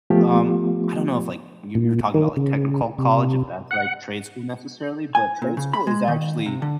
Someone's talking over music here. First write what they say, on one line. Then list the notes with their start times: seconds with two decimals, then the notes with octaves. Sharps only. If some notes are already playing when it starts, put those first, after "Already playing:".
um, I don't know if, like you you were talking about, like, technical college, if that's, like, trade school, necessarily, but trade school is actually,
0.10 F3 A3 B3 F4 G4
1.75 A#2
2.14 D#3
2.37 C#3
2.98 C3
3.71 F#5
5.15 G#5
5.42 A#2
5.57 C#3
5.73 B5
5.87 G#3
6.08 D#3
6.46 C3
6.62 D3